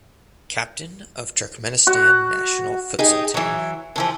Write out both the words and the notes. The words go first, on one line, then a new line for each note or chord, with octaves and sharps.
Captain of Turkmenistan national futsal team.
F#4
D#4 G4 G#4
E3 F#3
D3 E3 F3